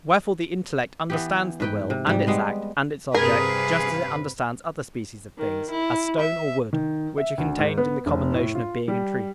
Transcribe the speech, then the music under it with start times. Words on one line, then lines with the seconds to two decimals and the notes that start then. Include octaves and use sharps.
Wherefore the intellect understands the will, and its act, and its object, just as it understands other species of things, as stone or wood, which are contained in the common notion of being and truth.
1.10 E3 B3 G4
1.60 G#2 B4 G5
1.90 C3
2.07 G#2 G3
2.27 G3 G#3 B3
3.14 G2 C3 G#4 A#4 B4 F5
5.38 D#3
5.70 E4
6.20 E5
6.73 D#3
7.18 E5
7.38 D2
7.59 G#2
7.78 B3
8.06 F1
8.33 A2
8.55 F4
8.88 G3